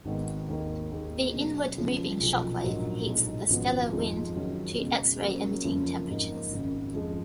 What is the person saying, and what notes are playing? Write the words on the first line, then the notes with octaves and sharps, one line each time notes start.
The inward moving shock wave heats the stellar wind to X-ray-emitting temperatures.
G#1 G#2 D#3 G#3 B3
D#2 D#3 A#3
D#2 D#3 A#3 D#4 G#4
B2 F#3 C#4
F#1 F#2 C#3 F3 G#3
B1 A#2 F3
A#1 G#2 F#3 A#3 D#4
B1 B2 G#3 D#4
G#1 F#2 F3 B3 F#4
F2 F3 G#3 D#4
F#2 D#3 F#3 C#4
C#2 B2 G#3
C#2 C#3 F#3 A#3 C#4
F#1 F2 C#3 F3 A#3
G#2 F3 A#3 D#4
G#1 F#2 C#3
F2 F3 G#3